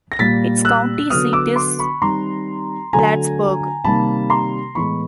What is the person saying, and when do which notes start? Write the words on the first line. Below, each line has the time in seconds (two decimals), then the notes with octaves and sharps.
Its county seat is Plattsburg.
0.12 A#6
0.19 A#2 G3 A#3 A6 B6
0.65 E6 F#6
1.10 D3 F#3 B3 D#6 F6
1.33 D6 E6
1.56 C6 D6
1.79 B5 C#6
2.02 D#3 G3 C4 A#5 C6
2.93 D3 F#3 A3 G#5 A#5
3.84 C3 D#3 G3 A#3 A5 B5
4.30 A#5 C6
4.75 A2 E3 G#3 B3 B5 C#6